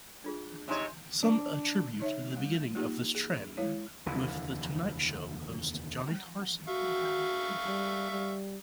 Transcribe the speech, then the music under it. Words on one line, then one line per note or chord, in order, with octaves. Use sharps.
Some attribute the beginning of this trend with "The Tonight Show" host Johnny Carson.
D4 F4 G#4
C3 D#4 C#5 E5 G#5 C6
D4
D#4 C#5 E5
G3
A#3 D#4 F4 G4
G#4
G#3 E4 C#5
F1 D#2 D3 E3
F#4 E5 F5 C#6
G3
G3